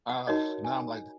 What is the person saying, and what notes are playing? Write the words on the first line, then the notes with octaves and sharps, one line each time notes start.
Ugh, now I'm like
F#5
D#4 F#4 A#4 C#5 D#5
G#5